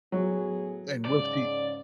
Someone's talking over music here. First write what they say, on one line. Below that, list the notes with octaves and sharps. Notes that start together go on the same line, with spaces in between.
and will she m
A2 F#3 B3 G#4
G#2 C#3 D5